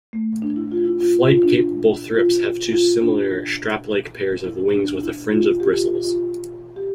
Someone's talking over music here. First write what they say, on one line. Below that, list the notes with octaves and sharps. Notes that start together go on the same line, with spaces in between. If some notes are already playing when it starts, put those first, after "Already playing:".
Flight-capable thrips have two similar, strap-like pairs of wings with a fringe of bristles.
A3
D4
E4
F4
E4
F4
F4
D4
F4
F4
D4
E4
D4
E4
F4
G4
F4
F4
G4